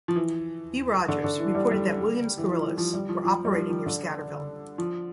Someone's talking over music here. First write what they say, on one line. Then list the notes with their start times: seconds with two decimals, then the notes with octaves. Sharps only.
B. Rogers, reported that "Williams Guerillas" were operating near Scatterville.
0.08 F3
0.16 E3
1.08 D3
1.24 D3
1.39 E3
1.55 G3
1.71 G3
2.38 E3
2.47 F3
2.63 E3
2.78 F3
2.93 G3
3.09 F3
3.24 F3
3.45 G3
3.55 F3
3.70 F3
3.86 D3
4.78 F3